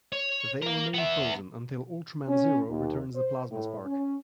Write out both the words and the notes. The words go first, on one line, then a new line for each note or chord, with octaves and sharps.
They remain frozen until Ultraman Zero returns The Plasma Spark.
C#5
A#4 F5
B3 E5
C#4
D#2
C5
A2
C#4